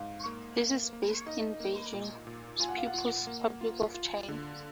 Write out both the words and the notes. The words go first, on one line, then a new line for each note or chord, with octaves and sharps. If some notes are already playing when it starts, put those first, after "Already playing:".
It is based in Beijing, People's Republic of China.
Already playing: G#2 F5
A#3
A#3
A#3
D#4 D#5
A#3
A#2
A#2
F4 G#5
F#5
F5
F#5
F4
A#3
F4
F4
D3